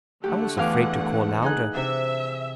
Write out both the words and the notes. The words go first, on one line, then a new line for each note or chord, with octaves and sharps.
I was afraid to call louder.
D3 A3 G4 F#5
E2 F5 D6
D#4 G#4 F#6
C3 D4 E5